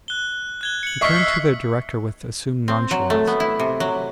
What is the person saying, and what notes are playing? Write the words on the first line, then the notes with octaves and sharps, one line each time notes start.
He turned to the director with assumed nonchalance.
F#6 G7
F#6 G#6 G7
C#7 F#7
D#5 E5 C#6 F6 B6 C7
E6 C7 C#7
C4
F#3
A3
B3
E4
C3
F#3